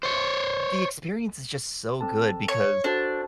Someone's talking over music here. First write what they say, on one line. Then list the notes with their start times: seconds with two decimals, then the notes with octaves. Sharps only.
The experience is just so good because,
0.03 C5 C#5
2.01 C4 A4 A5
2.48 C#5
2.84 D4 F#4 A4 C5